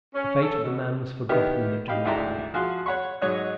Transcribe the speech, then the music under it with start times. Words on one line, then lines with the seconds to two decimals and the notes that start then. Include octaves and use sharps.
The fate of the man was forgotten in the general panic.
0.14 C#4
0.43 A4
0.63 B2
1.29 D#3 B3 E4 G4 E5 F6
1.88 D#4 G4 F5 G5 B5
2.05 D2 G#2 E4 D5 G5 A#5
2.54 F3 F#4 G#4 F5 C6 F#6
2.86 C#5 F#5 B5 C#6
3.22 G#2 F#3 D#4 C#5 D#5 F#6